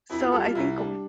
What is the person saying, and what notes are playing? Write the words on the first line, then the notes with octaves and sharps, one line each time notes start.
So I think w
F2 E4
F4
G3 A4
F4
C2 E4
G3 D4